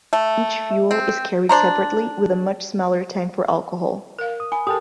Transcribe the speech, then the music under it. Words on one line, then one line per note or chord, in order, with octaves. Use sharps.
Each fuel is carried separately, with a much smaller tank for alcohol.
A3
C4
D4 C5 A#5
A#4 F5
D#6
G#5 B5
G4 A4 A#4 G5 A5 D#6